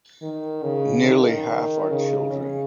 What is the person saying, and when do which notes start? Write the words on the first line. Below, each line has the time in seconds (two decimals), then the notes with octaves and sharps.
Nearly half are children.
0.22 D#3
0.64 C#3
1.05 D#3
1.90 C#3
2.32 C#3